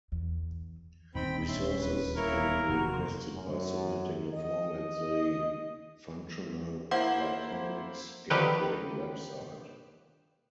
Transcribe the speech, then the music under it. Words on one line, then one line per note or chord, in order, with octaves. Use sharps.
Resources can be requested by submitting a form at the Functional Glycomics Gateway website.
E2
D#1 D2 D#3 C4 D#4 G5 B5
C#4 E5 C6
B4
A#3 E4 A#4 C#5
F1 E2 F#4
F#2
D#5
A#3 E4 C5 F#5
D3 D#3 F3 G4 B4